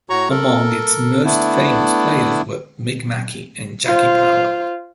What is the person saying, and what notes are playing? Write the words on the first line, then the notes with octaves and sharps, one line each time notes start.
Among its most famous players were Mick Mackey and Jackie Power.
A2 F#4 C#5 A#5 C#6
A4 A#4
A3 B3 D4 E4
F4 C5